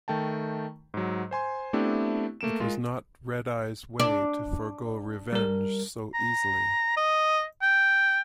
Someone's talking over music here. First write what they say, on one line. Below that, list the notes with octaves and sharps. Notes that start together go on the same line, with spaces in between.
It was not Red-Eye's way to forego revenge so easily.
D#3 A3 G5 A5
G#2 F#3
C5 G#5 C6
A3 B3 C4 D4 E4 G4
A3 A#3 D7 E7
G#3 F4 A#4
D4
G3 A#4
A#5
D#5
G5